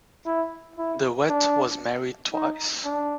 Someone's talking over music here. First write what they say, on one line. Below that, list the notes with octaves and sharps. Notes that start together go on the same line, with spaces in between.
De Wet was married twice.
E4
E4
D4
D#4
D4